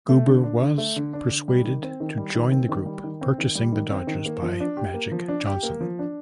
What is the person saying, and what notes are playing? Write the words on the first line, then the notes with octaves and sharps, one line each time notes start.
Guber was persuaded to join the group purchasing the Dodgers by Magic Johnson.
A3
D3
D4
D3
A3
D3
D4
D3
G3
D#3
C4
D#3
G3
D#3
C4
D#3
G3
D#3
C4
D#3
G3
D#3
C4
D#3
A#3
F3
D4
G4
A#3
F3
D4
G4
A#3
F3
D4